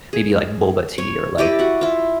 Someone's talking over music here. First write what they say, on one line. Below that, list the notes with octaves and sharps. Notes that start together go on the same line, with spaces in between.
maybe, like, boba tea or, like,
G#4
C#5
E4 G4 D5 D#5
F#4 F#5
E4 F4